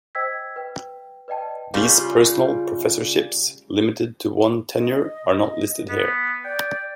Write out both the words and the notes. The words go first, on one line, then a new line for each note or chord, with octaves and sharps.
These "personal" professorships limited to one tenure are not listed here.
C5 D#5 G5 E6 G#6 B6
B4 G5
B4 D5 D#5 G5 A5
C#3 G3 F4
D#5
B3
D5 G5